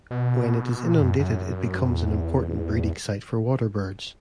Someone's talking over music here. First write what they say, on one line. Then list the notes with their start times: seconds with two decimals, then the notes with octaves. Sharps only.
When it is inundated it becomes an important breeding site for waterbirds.
0.11 B2
0.83 A#2
1.01 F#2
1.19 F#2
1.92 E2